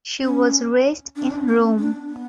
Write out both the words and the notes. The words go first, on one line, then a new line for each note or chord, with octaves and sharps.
She was raised in Rome.
C#4
D4
B3
C#4
D4
B3